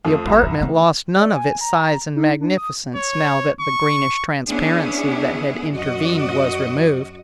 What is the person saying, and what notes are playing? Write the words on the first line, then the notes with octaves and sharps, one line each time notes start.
The apartment lost none of its size and magnificence now that the greenish transparency that had intervened was removed.
F2 A3
G1 C2 E5 A#5
F#2 E3
D#3 A3
D5
G#5
A#5
D#4
D4
D#6
C#5
C#6
B3 C#4 D4 E4 G#4
F#2 F#4 D#5